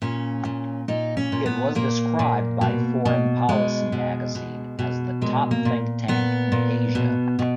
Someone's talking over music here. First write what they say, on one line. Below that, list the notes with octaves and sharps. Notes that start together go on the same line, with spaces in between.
It was described by "Foreign Policy" magazine as the top think tank in Asia.
A#2 C#4
A#2
A#2 D#4
C#4
A#2
B3
A#2 A#3
A#2
B2
B2
B2 G#3
B2
B2
B2
A#2 G#3
A#3
A#2
A#2 B3
A#2
B2
B2